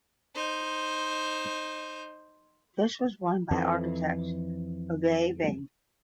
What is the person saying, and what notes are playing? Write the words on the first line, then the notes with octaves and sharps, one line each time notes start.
This was won by architect Ove Bang.
D#4 C5
F2 E3